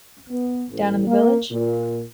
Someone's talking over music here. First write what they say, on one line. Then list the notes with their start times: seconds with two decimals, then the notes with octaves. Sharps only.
Down in the village?
0.28 B3
0.69 A1
1.06 A#3
1.49 A#2